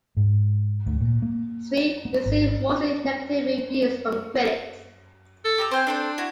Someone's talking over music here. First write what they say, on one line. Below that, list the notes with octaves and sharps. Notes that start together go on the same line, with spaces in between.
"Sphere" received mostly negative reviews from critics.
G#2
D2
A#2
A#3
B3
G#1
A4
G4 A#5 E6
C4 C5 G5 G#5
C4 D4 A4 C5
E4 F#4